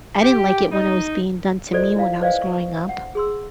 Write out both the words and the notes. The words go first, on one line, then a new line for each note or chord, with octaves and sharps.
I didn't like it when it was being done to me when I was growing up,
G4
D#4
F4 G4 A4 C5 D5 D#5
E4 F5
B4 C5 D5 D#5 F5 G#5
C#6
F#5
G#4 C6 E6